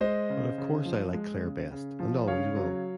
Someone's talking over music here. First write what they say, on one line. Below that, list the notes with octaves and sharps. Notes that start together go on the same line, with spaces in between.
But of course I like Claire best and always will.
G#3 C5 D#5
C#3
C#3
F3
G#3
C#3
C#3
F3
C#3 C#5 F5
F#3